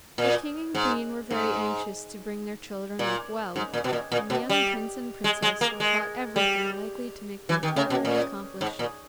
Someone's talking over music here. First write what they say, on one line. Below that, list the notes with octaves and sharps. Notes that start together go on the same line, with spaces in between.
The king and queen were very anxious to bring their children up well, and the young prince and princess were taught everything likely to make them clever and accomplished.
A#2
G#2
G#2
A#2
G#2
A#2
B2
A#2
A#2
B2
G3
G#3
G#3
A#3
G#3
G3
E3
D#3
C#3
B2
A#2
G#2
A#2